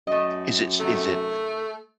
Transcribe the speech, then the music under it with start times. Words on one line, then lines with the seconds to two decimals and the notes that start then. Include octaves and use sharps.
Is it s is it,
0.07 F#2 A3 D#5
0.80 C3 D#3 A3 F#4